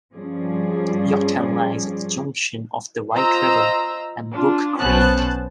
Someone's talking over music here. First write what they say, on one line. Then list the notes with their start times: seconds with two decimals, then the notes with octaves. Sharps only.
Yorktown lies at the junction of the White River and Buck Creek.
0.15 G2 F3 G3 C#4 G#4 D5
3.14 F4 C5 D#5 A#5 E6
4.34 D4 F4
4.80 B1 B3 C#4 C5 A5 F#6